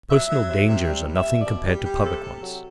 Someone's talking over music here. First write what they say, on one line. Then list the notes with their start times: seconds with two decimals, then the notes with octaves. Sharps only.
Personal dangers are nothing compared to public ones.
0.10 F#3 E5
0.30 F#3
0.49 C3 E5
0.68 C3
0.88 G3
1.07 G3
1.14 E5
1.27 B2
1.39 D5
1.46 B2
1.65 G3 G4
1.85 G3
2.04 C3 A4
2.23 C3
2.42 F#3